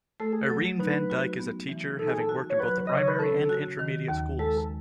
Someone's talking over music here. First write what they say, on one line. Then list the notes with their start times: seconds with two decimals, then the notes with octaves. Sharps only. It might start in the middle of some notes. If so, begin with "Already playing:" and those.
Irene van Dyk is a teacher, having worked in both primary and intermediate schools.
0.20 A3 A4
0.32 G#4
0.45 F#3 A4
0.79 D#4 B4
1.10 F#4
1.39 B3
1.69 E3
1.99 D#4 A4
2.10 G#4
2.19 A4
2.29 F#4
2.50 C#5
2.59 F#3 B4
2.87 C#3 D#5
2.97 C#5
3.08 B4
3.19 C#4 A4
3.49 F#4
3.79 D#3
4.08 D#2
4.39 G#3 A4